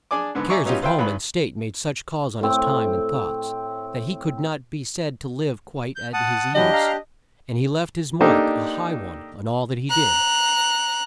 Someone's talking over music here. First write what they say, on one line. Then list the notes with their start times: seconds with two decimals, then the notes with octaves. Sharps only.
The cares of home and state made such calls on his time and thoughts, that he could not be said to live quite at his ease, and he left his mark--a high one--on all that he did.
0.11 D4 G#4 D5 G#5 D6
0.35 G#2 D3 B3
0.50 D5 E5 G#5 A#5 C#6
0.65 F#3 B3 C#4 D#4 F4 G4
0.82 F4 B4 C5 E5 F5 G5
0.99 G#1 B4 B5
2.41 A2 C4
5.96 G6
6.13 F#5 A5 D#6
6.55 E3 F#3 D4 G4 D#5
6.73 F5 A#5
8.21 A#3 D4 D#4 G4 A4
9.90 A#5 F#6